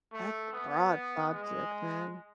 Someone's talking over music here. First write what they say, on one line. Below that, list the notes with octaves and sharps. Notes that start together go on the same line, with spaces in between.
That's a broad subject, man.
A3
B3
G#3